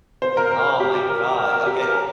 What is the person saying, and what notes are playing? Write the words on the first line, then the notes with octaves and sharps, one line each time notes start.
Oh my God. Okay, well eh,
C5
A#4
A#4
G4
G4
A#4
A#4
A#4
G4
A#4